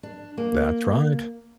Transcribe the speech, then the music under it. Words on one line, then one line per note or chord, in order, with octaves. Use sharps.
That's right.
D4
A#3